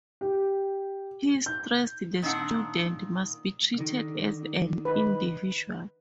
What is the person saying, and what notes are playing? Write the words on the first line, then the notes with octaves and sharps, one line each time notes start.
He stressed the student must be treated as an individual.
G4
G6
A#2 D#3 C4 D4 F#5
D3 D#3
D#4 B4